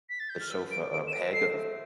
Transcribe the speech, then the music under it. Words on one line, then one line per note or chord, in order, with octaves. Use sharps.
the sofa, a peg of the
B6
A6
G6
F6
B4 E6
B4 D7
A4 D7
A4 E7
B4 D7
A4 C5 C7
C5 E5